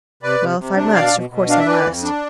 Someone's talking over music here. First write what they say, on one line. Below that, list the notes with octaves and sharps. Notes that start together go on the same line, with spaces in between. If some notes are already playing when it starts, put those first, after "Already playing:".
Well, if I must, of course I must.
C3 B4 D5
C3
C3
D4
B2 D5 F5
B2
B2
D4 F5
E5
E3 B4 D5
F2
D4